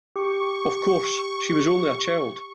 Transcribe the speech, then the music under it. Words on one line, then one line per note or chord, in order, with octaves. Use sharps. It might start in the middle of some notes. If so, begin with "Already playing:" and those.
Of course, she was only a child.
G4 C#6